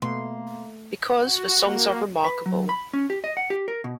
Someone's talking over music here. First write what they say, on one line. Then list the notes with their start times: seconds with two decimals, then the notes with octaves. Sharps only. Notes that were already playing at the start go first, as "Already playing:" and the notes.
Because the songs are remarkable.
0.02 B2 A3 A#3 C6
1.17 F#4
1.61 A#3
2.24 B4
2.46 F#3
2.69 B5
2.93 C#4
3.10 G4
3.24 D#5
3.37 F#5
3.50 G4
3.68 A#4
3.84 B2